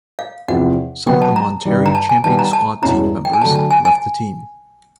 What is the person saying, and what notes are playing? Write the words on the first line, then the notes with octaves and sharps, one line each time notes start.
Some of the Monterrey champion squad team members left the team.
F5
E2 C3 F3 F#5
B2 F#3 B3 G5
A5
A#5
G2 D#3 G3
A#5
A5
G#5
D#3 G3 B3 A5
A#5
A5
E2 B2 G#3 C#4 E4 A#5
G5
G#5
D3 F#3 A3 D4 A5
A5
G#5
G#5